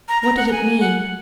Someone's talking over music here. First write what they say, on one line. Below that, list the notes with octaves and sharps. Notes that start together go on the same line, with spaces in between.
What did it mean?
A#5
A#5
F#5
A#5
G#5
F#5